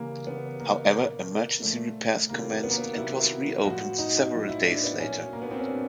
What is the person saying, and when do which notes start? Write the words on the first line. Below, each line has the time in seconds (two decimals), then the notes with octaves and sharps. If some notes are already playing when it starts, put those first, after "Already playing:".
However, emergency repairs commenced and was reopened several days later.
Already playing: C#3 E3 G3 A#3
0.27 C#3 E3 G3 B3
0.60 A#3
0.94 A#2 F3 A#3
1.62 A#2 F3 A3
2.29 C3 D#3 F#3 A#3
2.63 B3
2.71 A#3
2.78 B3
2.98 C3 D#3 F#3 E4
3.65 A2 F3 F#4
3.98 D#4
4.32 A2 F3
4.49 E4
4.66 D4
4.84 B3
5.00 A#2 F#3 C#4
5.33 A#3
5.42 B3
5.51 C4
5.59 C#4
5.68 A#2 F#3 D4